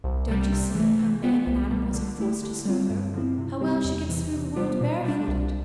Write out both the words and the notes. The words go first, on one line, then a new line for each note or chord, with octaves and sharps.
Don't you see how men and animals are forced to serve her; how well she gets through the world barefooted?
C2
C3 G3
C3
E3 A3
E3
B3 F4 C5
C2
B2 G3
D3
A3 E4 G4
D3
G3 C4 F4
G2
D3 F3 C4 E4
C3
G3 C4 G4
E2
C3 E3
C3
G3 B3 F4 C5
B2
G3 D4
C2